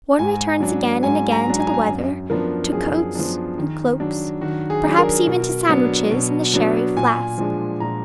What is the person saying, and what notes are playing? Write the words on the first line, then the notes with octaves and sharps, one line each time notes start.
One returns again and again to the weather, to coats and cloaks, perhaps even to sandwiches and the sherry flask.
G#2 G#5
F#3 D4
G#2 G#5
A#5
F#3 D4
G#5
A#5
G#5
F#2
F3 B3 D4 A#4
F#2 G#4
F3 B3 D4
D#3
F#3 D4
D#3 F#4
G#4
F#3 D4
A#4
B2
F#3 B3 D4
B2
F#3 B3 D4
A#2 G#5
F3 G#3 D4
A#2 A#5